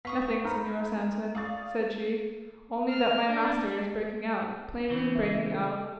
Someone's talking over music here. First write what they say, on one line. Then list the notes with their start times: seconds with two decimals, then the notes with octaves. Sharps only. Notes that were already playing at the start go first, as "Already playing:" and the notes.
"Nothing, Senor Samson," said she, "only that my master is breaking out, plainly breaking out."
0.05 B3 F5 C#6 D#6 B6
0.44 D#4 A#4 C5 A#5 B5 F6 G6
1.35 D5 F5 C#6 D#6 A6
2.89 F6
3.27 D4
4.90 C#3 E3 C4
5.15 E5
5.54 A4